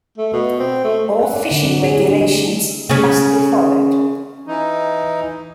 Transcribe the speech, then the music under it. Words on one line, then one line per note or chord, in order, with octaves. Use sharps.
All fishing regulations must be followed.
A3
B2
C4
A3
F#5
D5
D3
C4
G#4
E4
D4
G3
A3
C#3 C#4
E3 D#4